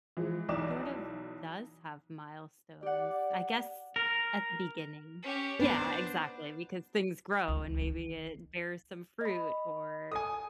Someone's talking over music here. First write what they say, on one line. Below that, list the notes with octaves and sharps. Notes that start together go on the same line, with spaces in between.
sort of, does have milestones, I guess, at the beginning. Yeah, exactly, because things grow and maybe it bears some fruit or
E3 F3 G#3
B1 E3 D#4 D5 D6 E7
G4 D5 F#5
A#4
C#4 G4
B3 D4 B4 C5
C#2
D#3
D#5 B5
A4 G#5 D#6